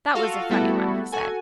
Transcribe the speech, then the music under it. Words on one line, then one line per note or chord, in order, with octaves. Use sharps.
"That was a funny one," he said.
F4 F#4 A4 F5
G3 A3 B3 E4 F#4 A4
F#4 A4 G#5